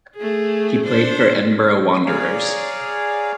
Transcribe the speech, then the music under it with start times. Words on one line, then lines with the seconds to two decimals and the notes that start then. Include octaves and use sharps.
He played for Edinburgh Wanderers.
0.16 A3 G#4
0.85 D4 C5
2.06 G#4 C#5 D5 F5 G#5 A#5